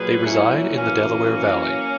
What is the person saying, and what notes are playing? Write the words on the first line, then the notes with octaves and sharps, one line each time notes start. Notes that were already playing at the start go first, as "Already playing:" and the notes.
They reside in the Delaware Valley.
Already playing: A#2 F#3 G#4 B4
C#4 E4
F#2 E3 A#3 C#4